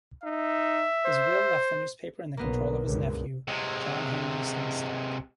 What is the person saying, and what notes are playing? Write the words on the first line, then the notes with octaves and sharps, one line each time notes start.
His will left the newspaper in the control of his nephew, John Henry Sengstacke.
D#4 E5
C5
B1 E2 F#3 A#3 B3
C#2 G2 D3
C3 G#3